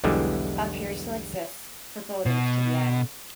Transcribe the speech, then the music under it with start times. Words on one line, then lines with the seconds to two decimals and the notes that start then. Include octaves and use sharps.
A pier still exists for boaters to the island.
0.04 B1 E2 D3 E3 G3 G#3
2.26 B2